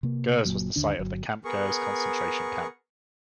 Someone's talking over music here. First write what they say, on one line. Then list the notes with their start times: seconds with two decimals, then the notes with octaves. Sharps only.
Gurs was the site of the Camp Gurs concentration camp.
0.03 C3 A#3
0.45 F#1 D#2 A#2 F#3
0.76 D#2 D3 D4
0.99 G1 F#3
1.45 B3 G#4 A#4 C#6